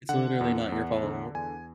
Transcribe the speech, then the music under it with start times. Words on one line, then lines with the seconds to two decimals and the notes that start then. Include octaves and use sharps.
It's literally not your fault.
0.09 D3 F#5
0.41 E2
0.72 E2
1.03 D3
1.35 E2 G#5